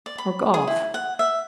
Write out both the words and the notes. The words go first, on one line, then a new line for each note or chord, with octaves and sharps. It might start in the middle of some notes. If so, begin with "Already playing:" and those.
Or golf?
D5
B5
G#4
E4
F#5
E5